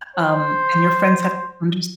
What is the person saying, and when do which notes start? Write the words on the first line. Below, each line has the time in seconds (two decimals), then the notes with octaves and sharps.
um, and your friends have to unders
0.16 C5